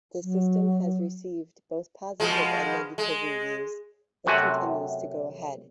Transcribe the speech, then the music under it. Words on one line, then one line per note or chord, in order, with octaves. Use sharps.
The system has received both positive and negative reviews but continues to go ahead.
F#3
B2 F3 G#3
G#3
F#2 C3 A3 F#4 G#5